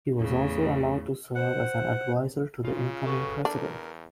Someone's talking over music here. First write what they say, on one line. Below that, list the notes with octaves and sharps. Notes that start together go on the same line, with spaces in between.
He was also allowed to serve as an advisor to the incoming president.
E2 A2 C#3
C5 F#5
C#3 F4
F#4 A4 B4
E2 D4 A#4